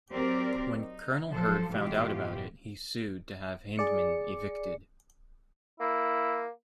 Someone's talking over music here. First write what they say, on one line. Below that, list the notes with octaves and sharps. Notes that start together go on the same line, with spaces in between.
When Colonel Hurd found out about it, he sued to have Hyndman evicted.
F#3 C4 G4 A#4 D5
D#4
F3 F#3 A4 C5
G#2 B2 E3 F4 G4
G#4 D5 C#7
A#3 E4